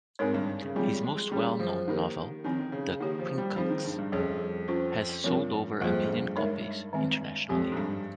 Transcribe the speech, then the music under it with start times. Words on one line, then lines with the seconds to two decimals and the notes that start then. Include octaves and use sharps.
His most well-known novel, "The Quincunx", has sold over a million copies internationally.
0.19 G#2 C4 D#4 A#4 C#5
0.34 G2
0.62 C#3
0.76 F3 G3 G#3 C4 F4 G#4
1.03 G#3
1.31 G3 C#4 G#4 C#5
1.59 F3
1.87 D#3 A#3 D#4 G4 A#4
2.44 D#3 F3 C4 D#4
2.60 D#3
2.72 C#3
3.00 D#3 A#3 D#4 G4 C#5
3.19 F3
3.38 G3
3.56 F3 C4 D#4 G#4
3.70 D#3
3.85 G2
3.98 G2
4.12 F2 G3 C#4 G#4 C#5
4.68 C#4 F4 C5
5.24 G2 F3 C4 F4 A#4
5.81 F2 G3 A#3 F4 G#4 C5
6.09 G2
6.36 G#3 D#4 A#4 C#5
6.93 D#3 G#3 C4
7.49 F2 F3 G#3 C4 G4
7.72 G#2
7.77 G2